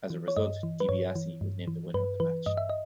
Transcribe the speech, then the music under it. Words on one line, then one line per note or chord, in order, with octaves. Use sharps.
As a result, DiBiase was named the winner of the match.
E3
C#5
G2 D#5
E3
B4
G2 C#5
E3
G2
E3
G2 B4
E3 B4
G2 D#5
E5
D#5